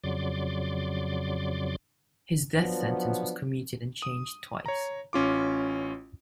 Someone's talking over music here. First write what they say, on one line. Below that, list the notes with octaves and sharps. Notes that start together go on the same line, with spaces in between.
His death sentence was commuted and changed twice.
F2 C#3 F#3 D5 C6 D6
F3 F#3 B3 D4
D#6
C#5 A#5
A1 C#4 F4 D6